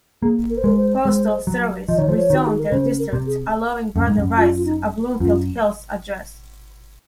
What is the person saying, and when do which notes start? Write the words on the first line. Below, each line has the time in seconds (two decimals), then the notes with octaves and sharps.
Postal Service rezoned their districts allowing Brother Rice a "Bloomfield Hills" address.
0.22 A#3 G#4
0.50 A#4
0.58 C5
0.64 G#3 A#4
0.78 C5
1.05 G#3 C5
1.47 F#3
1.88 F3 D#5
1.98 D#3 C#5
2.08 F3 C5
2.18 C#5
2.30 D#3 F#4
2.47 G#4
2.59 A#4
2.71 C#3 C5
2.99 A#4
3.13 C3
3.27 G#4
3.96 F#2
4.07 G#2
4.19 F#2
4.37 F4
4.56 F4
4.65 D#4
5.20 F#2 F4